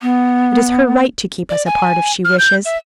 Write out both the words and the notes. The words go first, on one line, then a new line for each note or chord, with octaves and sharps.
It is her right to keep us apart, if she wishes.
B3
D5
G#5
F6
G6
E5